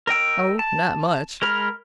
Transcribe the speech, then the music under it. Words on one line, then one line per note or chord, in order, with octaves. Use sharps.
Oh, not much.
A#4 D#5 G5 E6
A5
G#3 A#4 B5 F6